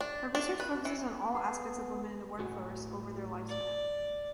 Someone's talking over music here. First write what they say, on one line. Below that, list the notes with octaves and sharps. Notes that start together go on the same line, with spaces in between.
Her research focuses on all aspects of women in the workforce over their lifespan.
D4
D4
B4
E3
B3 G#4
A2 F#4 G#5
D5